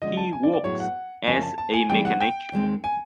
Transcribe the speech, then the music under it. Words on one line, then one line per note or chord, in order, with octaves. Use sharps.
He works as a mechanic.
D3 F3 G#3 C#4 D#5
A5
G#5
D5
D5
A2 F#3 B3 E4 G#4 C#5
F#5
F2 C#3 F3 A#3 C#4 G#5
A5
A5
G#5
E3 G3 C4 E4 G#4 G5
F#5
G5
D#2 D#3 G#3 C4
G#5